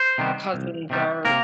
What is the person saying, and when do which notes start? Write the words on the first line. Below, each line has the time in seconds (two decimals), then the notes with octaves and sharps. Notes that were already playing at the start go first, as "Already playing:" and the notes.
cousins are
Already playing: C5
0.18 C3 D#3 G3 B3
0.54 C2
0.90 C3 D#3 G3 B3
1.25 C3 A#3 A#4